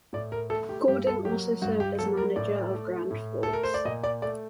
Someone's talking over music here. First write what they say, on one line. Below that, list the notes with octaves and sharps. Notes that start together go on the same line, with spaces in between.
Gordon also served as manager of Grand Forks.
A2 D5
A#4
A3 A4
G4
G2 G4
A4
F#3 A#3 G4
G2 F#4
G4
F#3 A#3 A4
A#4
A2 D5
A3
A2
A4
A3 A#4
C5
D5
A#2 D#5
D5
A3 D5